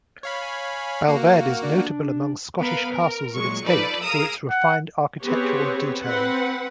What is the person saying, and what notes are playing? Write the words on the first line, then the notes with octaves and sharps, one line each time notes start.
Balvaird is notable among Scottish castles of its date for its refined architectural detail.
C#5 F5 B5
G#5
A#3 F#4 F5
D4
B3 A#4 B4 F5 B5
A#4
A#2 F#3 G#3 C#6
F3 D#4 A4 B4 D5
G#4 A#4 F5 A#5 D#6 E6
F#5
B3 C4 G4 G#4 B4 C#5
C4 B4 F#5